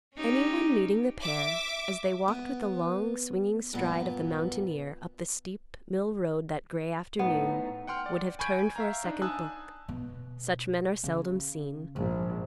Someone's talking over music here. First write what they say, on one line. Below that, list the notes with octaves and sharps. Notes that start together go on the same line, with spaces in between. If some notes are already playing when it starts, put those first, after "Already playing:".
Anyone meeting the pair, as they walked with the long swinging stride of the mountaineer up the steep mill road that gray afternoon, would have turned for a second look; such men are seldom seen.
C#4 D#4 G4
E5 D6
B3
G2 A#2 B3
A2 B3 D#4
F#5 G5 C6 F6
D5
G#5 B5 C#6 G6 G#6 D7
E5 F5 A#5
D4 D#4
G#5 A5 D#6 E6 F#6
B2
C#3
A#1 G#2